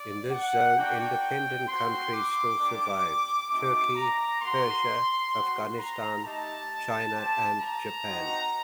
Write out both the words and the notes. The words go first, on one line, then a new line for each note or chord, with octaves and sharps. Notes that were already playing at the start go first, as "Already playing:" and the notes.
In this zone independent countries still survived - Turkey, Persia, Afghanistan, China, and Japan.
Already playing: D5
F#5
A#3 D4 F#4 G5
C4 F#4 C6
D6
A#3 D4 G4
A3 C4 D#4 F#4 D6
A#5
A#3 F#4 C6
C4 F#4
A#5
A3 D#4 G4 A5
C4 G4 A5
A#5
C4 D#4 F#4